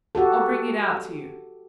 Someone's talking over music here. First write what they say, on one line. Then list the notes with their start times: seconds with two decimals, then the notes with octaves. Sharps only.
I'll bring it out to you.
0.15 F#4 G4 A4